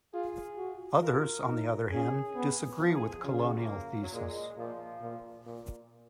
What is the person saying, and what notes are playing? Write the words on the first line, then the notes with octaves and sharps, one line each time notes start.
Others, on the other hand, disagree with colonial thesis.
F4 G#4
F#4
F4 A#4
D#4
C#4 G#4
B3
F3
G#4
G#4
C#3 F4
F4
F#4
A#3
F#3
A#2 G#3
A#2 F3
A#2
A#2